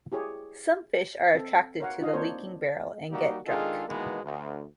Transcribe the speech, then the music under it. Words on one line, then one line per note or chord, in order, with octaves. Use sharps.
Some fish are attracted to the leaking barrel and get drunk.
E4 G4 G#4 C#5
C4 A4
A#4 C#5 F5 F#5
D4 D#4 F4 D#5 F5
A#3 C4 D4 A#4 C5 C#5
G3 A#3 D#4 F#4 G4
D#3 G#3 D4 F4 G#4 A4
B2 D#3 E3 G#3 A#3 B3
D2